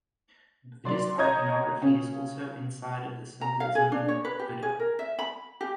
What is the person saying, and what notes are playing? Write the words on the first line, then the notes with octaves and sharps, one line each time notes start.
Buddhist iconography is also inside of the symbolism in the pagoda.
F#3 D5 C6
C#5 D#5 A#5 D#6 G6 G#6
C#3 C#4
A#5
F5
G#4
D4
C#5
B4
G4
G#4
A#4
E5
B5
G4